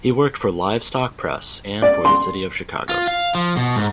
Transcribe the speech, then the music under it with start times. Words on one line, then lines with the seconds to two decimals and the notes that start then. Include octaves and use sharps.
He worked for "Livestock Press" and for the city of Chicago.
1.82 D5
2.05 C6
2.89 F4
3.07 F5
3.35 F3
3.57 B2
3.76 G#2